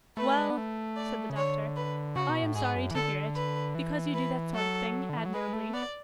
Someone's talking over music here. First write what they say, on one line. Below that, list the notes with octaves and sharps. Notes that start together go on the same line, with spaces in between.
'Well,' said the doctor, 'I am sorry to hear it, because you do that sort of thing admirably.
A3 B4
G#3
B3
A3
D5
C#3
D3 C#5
B4
C#3 F#4
B2
A2
G#2 G#4
F#2
E3
D3 A4
B4
E3
B4
F#3 A4
D3
E3
F#3
G#3 B4
A3
B3 D5